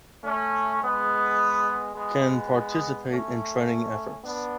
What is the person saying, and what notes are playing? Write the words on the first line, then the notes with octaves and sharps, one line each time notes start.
Can participate in training efforts.
A3 C#4
G#3 B3
G#3 B3
A3 C#4
B3 D4